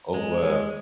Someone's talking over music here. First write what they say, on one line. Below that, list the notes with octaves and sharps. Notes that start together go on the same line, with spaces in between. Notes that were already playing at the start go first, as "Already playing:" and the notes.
Oh, wow.
G#3
G#3